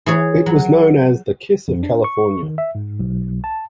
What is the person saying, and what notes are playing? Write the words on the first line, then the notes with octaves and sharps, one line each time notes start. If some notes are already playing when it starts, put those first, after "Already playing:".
It was known as the Kiss of California.
E3 G#4 C#5
F#3
F2
D4
C#6
D#3
E5
G#2
B1
A5